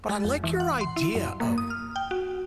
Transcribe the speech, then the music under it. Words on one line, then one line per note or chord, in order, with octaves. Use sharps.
But I like your idea of
G#3
F2
E3
F#5
C6
E4
F#2
A#3
D#6
F6
G5
F#4